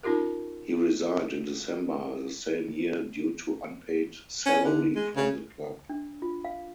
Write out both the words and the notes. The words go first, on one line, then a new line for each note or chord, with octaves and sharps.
He resigned in December the same year due to unpaid salary from the club.
C#4 D#4 F4 G4 A#4
C#4
D3
G#3
C#3
D4
F4
F5